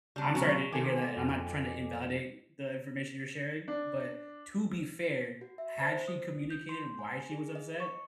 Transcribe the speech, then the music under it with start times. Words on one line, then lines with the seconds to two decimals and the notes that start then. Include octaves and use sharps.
I'm sorry to hear that, and I'm not trying to invalidate the information you're sharing, but to be fair, had she communicated why she was upset,
0.16 C#3 G3 D4
0.35 B2 F#3 C#4 A#5 C#6
0.72 C3 D#3 G#3 A4 G#5 D6
1.17 F2
3.68 D4
5.41 F#4
5.58 E5
5.81 C5
6.08 D#6
6.50 G6
6.69 C6
6.99 G#5
7.31 G#4
7.55 D#5
7.80 C#6